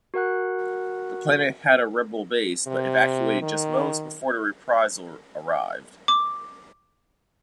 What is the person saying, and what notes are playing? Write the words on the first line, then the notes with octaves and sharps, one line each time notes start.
The planet had a rebel base, but evacuated just moments before the "Reprisal" arrived.
F#4 A#4 F#5 F#6
C3
D#3
D6